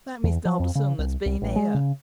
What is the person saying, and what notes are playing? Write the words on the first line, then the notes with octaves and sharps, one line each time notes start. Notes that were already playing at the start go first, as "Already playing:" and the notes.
"That Miss Dobson that's been here."
E2
F3
F2
C#3
C2
C2
A1
G#3
C#3